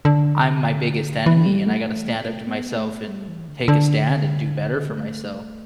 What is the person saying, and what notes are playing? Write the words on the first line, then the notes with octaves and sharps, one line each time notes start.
"I'm my biggest enemy, and I gotta stand up to myself and take a stand and do better for myself."
D3
E3
G3
A3
B3
A3
G3
E3
D3
D3
A3